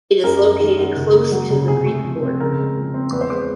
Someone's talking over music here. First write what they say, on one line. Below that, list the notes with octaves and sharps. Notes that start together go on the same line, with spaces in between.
It is located close to the Greek border.
F#2 A#4
G#3
D#3
F#2
C#3
A#3
F#3
C#3
C3 G#4
A3
F3
C4
C#3 A#4
G#3
F3
C4
E2 B4
C5
G#3 B4